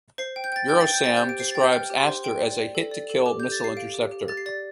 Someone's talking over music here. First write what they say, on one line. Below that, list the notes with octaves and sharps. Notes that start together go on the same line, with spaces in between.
Eurosam describes Aster as a "hit-to-kill Missile Interceptor".
C5 C7
G5
G6
G5 A6
G5 G6
A6
G5
G6
C5 A6
G4 G6
D7
C5 C7
G5 A6
G6
G5 F6
G4
C6
C5
G5
D5
D5
A4
D5
A4
G4 D6
G6
G4
A6
G4 C7
F5 D7
G4
G4
G4 A6
C7
D5 A6